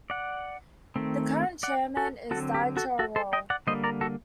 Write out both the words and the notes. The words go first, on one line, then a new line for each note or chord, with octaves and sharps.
The current chairman is Dieter Rolle.
D5 F#5
D#3 A3 C4
D5 F#5
F#4 A4
D3 F#3 C4 F#4 A4
G4
F#4 A4
F#4 A4
A4 C5
D#5 G5
D5 F#5
D3 G3 A#3 C5 D#5
A#4 D5
F#4 A4